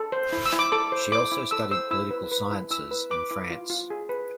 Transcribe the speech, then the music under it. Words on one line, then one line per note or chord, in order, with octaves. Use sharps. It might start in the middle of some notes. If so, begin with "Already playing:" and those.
She also studied Political Sciences in France.
Already playing: A4
C5
E4
E6
E4
D6
A4 D6
C5
E4 D6
E4
A4 E6
C5 E6
E4 E6
B4
B4
E4
E4 E6
B4
B4 D6
E4
F4
F4
G#4
B4